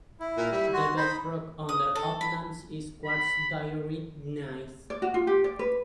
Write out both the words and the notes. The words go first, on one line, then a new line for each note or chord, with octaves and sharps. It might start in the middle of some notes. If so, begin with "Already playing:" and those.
The bedrock under Uplands is quartz diorite gneiss.
E4
A#2 A#4
G3 E5
F#4 C6
D#4 C5 B5
D#6
A4
B5
B5
D5
F#4
F4
G4
D5
B4